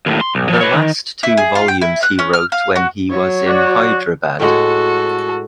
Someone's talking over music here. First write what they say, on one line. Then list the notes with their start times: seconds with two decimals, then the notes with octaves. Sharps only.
The last two volumes he wrote when he was in Hyderabad.
0.06 D#2 A2
0.21 C6
0.35 B1
0.49 F3 G3
0.61 B4 C#5
0.74 D#3
1.23 E4
1.37 G#4
1.55 F4
1.68 G5
1.82 E4
2.03 F#6
2.19 C#4
2.33 F6
2.52 F5
2.76 F#4
3.10 F#3 C#5
3.47 F#4 D5
4.40 A2 G#3 F#4 A4 F#5